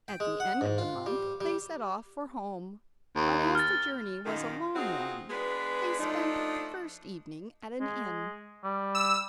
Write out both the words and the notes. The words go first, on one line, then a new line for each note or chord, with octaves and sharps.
At the end of the month they set off for home, but as the journey was a long one they spent the first evening at an inn.
G5
G#3
F#5
G#2
F4
G3
G3
D#2
F6 A6
F#2 A#2 D#3
C4 D#4 F4 F#4 G#4
G#3 B3 D4 G#4 B4
F3 A3 D4 D#4
G#3
G3
E6